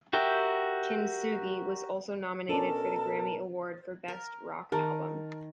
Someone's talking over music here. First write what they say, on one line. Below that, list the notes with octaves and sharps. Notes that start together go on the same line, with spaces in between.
"Kintsugi" was also nominated for the Grammy Award for Best Rock Album.
F#4 G4 A#4 E5 G5
B2 C#4 D4 A4 A#4 A5
A#4
D#3 A#4 A5